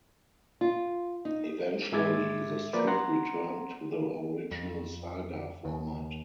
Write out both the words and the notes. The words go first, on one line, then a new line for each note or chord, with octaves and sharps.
Eventually, the strip returned to the original saga format.
F4
D#4
G#2 G#3 E5 D6 G#6 A6
F3 A#3 B4 D5
F#5 A#5 C6
F2
D#2